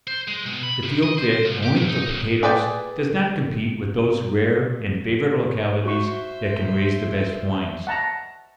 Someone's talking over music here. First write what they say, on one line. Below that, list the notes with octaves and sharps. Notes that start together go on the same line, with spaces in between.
The field fit only for potatoes does not compete with those rare and favored localities that can raise the best wines.
C5
G#3
B2
B5
C3
D#5
C5
C2
G4
G2
D#4
B1
G#4 B4 D5 G5
F#4 C5 E5 C#6
F#5 A5 A#5